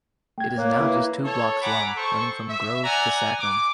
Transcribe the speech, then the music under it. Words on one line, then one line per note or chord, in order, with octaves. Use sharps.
It is now just two blocks long, running from Grove to Sachem.
A3 G5 G#6
A#3 C#5 F#6
E4 B4
A4 C#5
F#5 G#5 A#5 B5 D6
A4 C5 C#6
E5
D5 F#5 G#5 A#5
D6